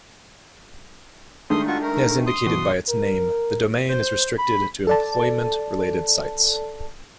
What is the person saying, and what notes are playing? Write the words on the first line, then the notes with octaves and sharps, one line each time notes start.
As indicated by its name, the domain is restricted to employment-related sites.
D#3 G#3 A3 D4 C6 D#6
F4 F#4 C#6
A#4
C6 D#6
B2 E3
A#4
C5
B5
A4 D5 A5